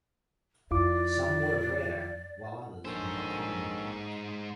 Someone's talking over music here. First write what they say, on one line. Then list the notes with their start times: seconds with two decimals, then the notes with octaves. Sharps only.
Some were rare, while others were more common.
0.71 F2 E4 F4 D5 D6
2.85 A#1 G#2 D#3 C#4 A4 C5